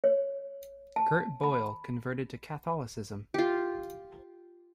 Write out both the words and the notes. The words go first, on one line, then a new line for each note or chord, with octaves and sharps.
Gert Boyle converted to Catholicism.
C#5
A5
B5
F4 G4